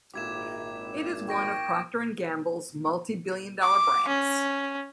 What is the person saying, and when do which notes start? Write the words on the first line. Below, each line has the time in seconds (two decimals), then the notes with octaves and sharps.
It is one of Procter and Gamble's multibillion-dollar brands.
0.14 G#1 A#2 E4 G4 D6 G#6 E7
1.29 G5 C#6 A#6 D7
3.62 D6
4.08 C#4